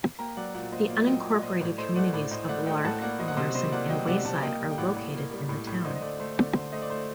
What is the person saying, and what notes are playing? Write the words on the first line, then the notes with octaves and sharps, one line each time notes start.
The unincorporated communities of Lark, Morrison, and Wayside are located in the town.
A#3 G5 A#5
F#3 D5 F#5
A#2 D5 F#5
A#2 C5 D#5
A#3 D5
F#3 D#5 G5
A#2
D5
A#2 C5 D#5
A2 D5
A3 C5 D#5
A3 D5 F#5
A2 D5
A2 C5 D#5
A3 D5 F#5
A3 D#5 G5
A2 F#5 A5
A#3 D5 F#5
F#3 C5 D#5
F#5
C3 C5 D#5
C3 C5 D#5
A#3 D5 F#5
F#3 D#5 G5
C3 D5 F#5
C3 F#5 A5
A#3 D#5 G5
G3
G5
A2 D5 F#5
A2
A#3
G3
A2
A2
D3 C5 D#5
D#5
A3 D5
A3 C5
D3 D5
D3 C5
A3 C5 D#5
D5
A3 C5